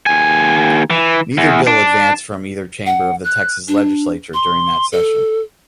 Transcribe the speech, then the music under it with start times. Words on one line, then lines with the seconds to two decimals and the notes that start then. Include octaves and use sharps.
Neither bill advanced from either chamber of the Texas Legislature during that session.
0.06 D#2 G#5
0.90 E3
1.38 E2
1.67 D4
2.86 F#5
3.24 F#6
3.68 D4
4.34 C6
4.92 A4